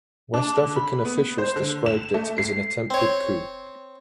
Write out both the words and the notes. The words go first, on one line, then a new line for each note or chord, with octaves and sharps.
West African officials described it as an "attempted coup".
D4
D3
B5
B3
C5
D3
E7
A3
C7
C4 C#5